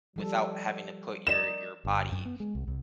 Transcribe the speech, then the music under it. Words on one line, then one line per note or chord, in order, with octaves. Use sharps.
without having to put your your body,
F3 G3 A4
A#4 D5 D#5 E7
G1
F#2
B3
G#3
C2
C2